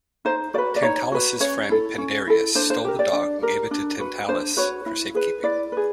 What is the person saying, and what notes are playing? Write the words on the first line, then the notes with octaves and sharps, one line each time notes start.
Tantalus's friend Pandareus stole the dog and gave it to Tantalus for safekeeping.
D#4 C5
F#4 B4 D5
D5
D#4 C#5
F#4 B4
C#4 C#5
E4 A4
C#4
E4 A4
D4 C5
C5
G4 A#4
D5
D4
G4 A#4
D4
F#4 B4
D4 C5
F#4 B4 C#5
E4
G#4 B4
E4 D5
G#4 B4